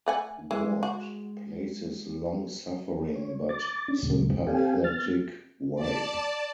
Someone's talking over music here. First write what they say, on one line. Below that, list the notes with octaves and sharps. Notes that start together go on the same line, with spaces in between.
Ward plays his long-suffering but sympathetic wife.
A3 F#5 G#5
E3 G#3
F#4
C#5
D6 A6
C#4 D4
D2 A#2 C#3 G#3
C4 G4 A4 F5 G5 G#5
B3 F6 A6
D5 A5